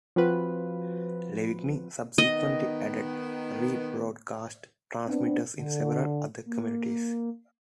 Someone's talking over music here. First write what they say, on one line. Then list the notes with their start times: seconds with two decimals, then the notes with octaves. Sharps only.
Lavigne subsequently added rebroadcast transmitters in several other communities.
0.16 F3 C4 F4 F#4 B4
2.18 D#3 B3 D#5
5.07 B3 C4 D4
5.58 D3
6.45 A#3